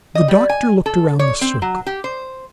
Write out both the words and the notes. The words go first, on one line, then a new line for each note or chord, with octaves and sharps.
The doctor looked around the circle.
D#5
G3
G#5
A4
C#5
C4
F#3
G4
C5